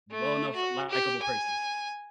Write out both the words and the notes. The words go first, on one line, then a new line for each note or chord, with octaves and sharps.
well-enough, likable person.
A3
F#4
G4
G#5